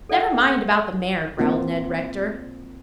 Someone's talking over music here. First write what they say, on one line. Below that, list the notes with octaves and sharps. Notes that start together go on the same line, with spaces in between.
"Never mind about the mare," growled Ned Rector.
A4 D5 E5 F#5 G5
A#3 C4 F4 F#4